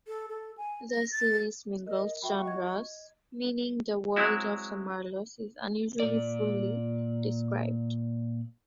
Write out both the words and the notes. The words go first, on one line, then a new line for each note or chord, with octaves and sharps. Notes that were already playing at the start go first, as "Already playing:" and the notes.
The series mingles genres, meaning the world of the Marlows is unusually fully described.
A4
A4
G#5
A#6
A6
A#4 D#5
F#4 E5 G5 B5
D#5 G#6
F#3 G#3 C4 E4 F#4
A#2 D5